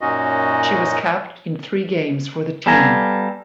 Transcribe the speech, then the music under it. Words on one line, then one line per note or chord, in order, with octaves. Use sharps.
She was capped in three games for the team.
F#2 A#2 C#4 D#4 F#4 D#5
G3 B3 A4 F5 G#5 A#5